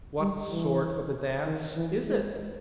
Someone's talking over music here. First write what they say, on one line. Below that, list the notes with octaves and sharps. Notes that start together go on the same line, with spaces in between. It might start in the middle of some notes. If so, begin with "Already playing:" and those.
'What sort of a dance is it?'
G3
E3
D#3
E3
G#3